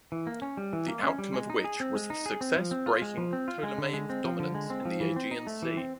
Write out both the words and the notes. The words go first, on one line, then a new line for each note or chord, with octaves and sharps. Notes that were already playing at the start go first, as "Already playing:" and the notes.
The outcome of which was the success breaking Ptolemaic dominance in the Aegean Sea.
E3
A#3
C#4
G3
E3
A#3
C#4
G3
G#3
D#4
G#4
C4
G#3
D#4
G#4
C4
F3
C4
F4
G#3
F3
C4
F4
G#3
D3
G#3
C4
F3
D3
G#3
C4
F3
E3
C4
D#4
A3
E3
C4